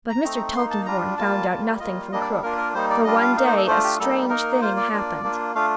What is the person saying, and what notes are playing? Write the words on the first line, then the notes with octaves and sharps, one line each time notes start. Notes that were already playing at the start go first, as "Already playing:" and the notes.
But Mr. Tulkinghorn found out nothing from Krook, for one day a strange thing happened.
A#5
A3 C4 D#4
A#3 D#4 C6
A5
G3 D4 F4 A#5
G3 A#3 F4 A5
G3 A#3 F4
G3 A#3 F4 D#5
G3 A#3 D4 D#5
D5
A#3 D4 F4 A#4
A#4
G3 A#3 D#4 C5
D5
G3 D4 F4 D#5
F5
A#3 D#4 F5
C5
A4
A3 D4 F4 C5
G4
G3 A#3 D#4 A4
A#3 D#4 A#4
A#3 F4 C5
D5
A#3 D4 F4
A#3 D4 F4
A3 D4 F4 F5